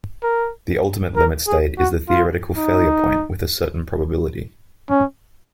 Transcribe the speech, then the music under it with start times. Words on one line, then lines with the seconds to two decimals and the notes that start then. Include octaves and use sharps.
The ultimate limit state is the theoretical failure point with a certain probability.
0.23 A#4
1.17 A#4
1.47 G#4
1.78 F#4
2.09 F4
2.57 D#4
4.90 C#4